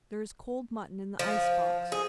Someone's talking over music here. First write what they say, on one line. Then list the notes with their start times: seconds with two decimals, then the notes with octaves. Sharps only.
There is cold mutton in the ice box.
1.19 F3
1.92 G#4